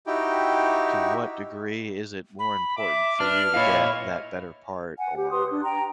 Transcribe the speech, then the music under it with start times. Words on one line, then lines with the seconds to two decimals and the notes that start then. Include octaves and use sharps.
To what degree is it more important for you to get that better part or
0.07 D#4 E4 F#4 G4 G5
2.39 B5
2.78 E5 D6
3.20 D4 B4 F6
3.54 A#2 E4 C#5 D#5 F5
4.98 F#5 G#5
5.17 G4
5.31 G4 B4 C6 D#6
5.49 D4
5.63 G5 A#5